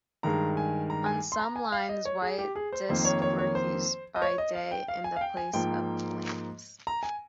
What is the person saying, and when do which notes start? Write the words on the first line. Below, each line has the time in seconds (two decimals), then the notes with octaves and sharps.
On some lines white discs were used by day in the place of lamps.
0.23 G2 D#3 G#3 A#5
0.57 G#5
0.90 A#5
1.06 G#5
1.32 C6
1.40 A#5
1.56 G#5
1.72 F5
1.89 D#5
2.05 C#5
2.22 G#4
2.39 G4
2.55 G#4
2.73 C5
2.89 F2 D#3 A#3 C5
3.05 C#5
3.22 C#5
3.39 C#5
3.55 C5
4.16 D#5
4.22 C#5
4.38 D#5
4.55 F5
4.71 G5
4.88 F5
5.04 G#5
5.16 F5
5.21 G5
5.37 G#5
5.54 G#2 F3 A#3 G5
6.87 A#5
7.03 G#5